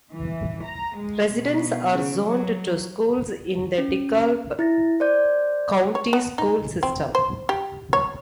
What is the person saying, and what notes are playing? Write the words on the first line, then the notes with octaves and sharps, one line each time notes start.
Residents are zoned to schools in the DeKalb County School System.
E3
A#5
G#3
B2
C#3
F#3
C#4
E4 A6 A#6
C5 D5 G6
C#5
B3
D#4
C4
C5
G4
C#5